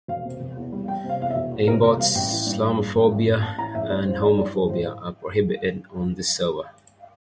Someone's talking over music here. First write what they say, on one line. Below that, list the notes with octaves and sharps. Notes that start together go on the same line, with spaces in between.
Aimbots, Islamophobia and Homophobia are prohibited on this server.
E1 F5
C3
E1
E2
G3
G3 G5
C3
F5
E2 F5
E5
E1
E2
C3 A#4
E1 A#4
G3 F5
A1 G5
E3
G2
G2
G2
A1
A1
A1
A1 A5
E3 A#5
A1 E5
A1 D5
E3 C5
E3 D5
G2 D5
E3 C5
A2 C5